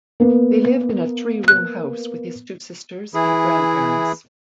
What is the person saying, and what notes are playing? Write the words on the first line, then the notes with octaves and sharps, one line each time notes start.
They lived in a three-room house with his two sisters and grandparents.
A#3 B3
F#6
E3 E4 G#4